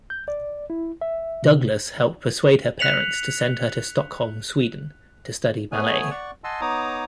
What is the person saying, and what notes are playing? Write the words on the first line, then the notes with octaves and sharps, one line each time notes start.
Douglas helped persuade her parents to send her to Stockholm, Sweden to study ballet.
G6
D5
E4
E5
C3
F#6 B6 C#7 F7 F#7
A3 B3 G#4 C#5 G#5
D5 F#5 C#6
D#5 F#5 G#5 A5 C6 E6
B3 D#4 C#5 A#5 D6 D#6